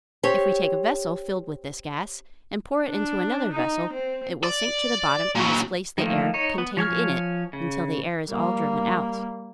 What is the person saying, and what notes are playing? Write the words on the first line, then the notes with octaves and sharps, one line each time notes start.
If we take a vessel filled with this gas and pour it into another vessel it will sink to the bottom and displace the air contained in it until the air is all driven out.
C4 G4 C#5
D4
D#4
C4
D5
A#2 F#3
D#3 F3 A3 A#3
D#4 C#5
B3
F3 C#5 G#5 F6
C#3
G3 A#3